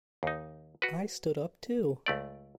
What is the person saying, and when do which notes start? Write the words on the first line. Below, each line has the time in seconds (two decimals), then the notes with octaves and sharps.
I stood up too.
0.23 D#2 D#4
0.82 F#4 B4
2.06 C#2 A3 D5